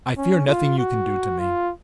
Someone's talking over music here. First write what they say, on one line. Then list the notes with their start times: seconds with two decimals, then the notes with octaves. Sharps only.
I fear nothing you can do to me.
0.18 C#4
0.48 F4
0.78 F#4
1.39 F4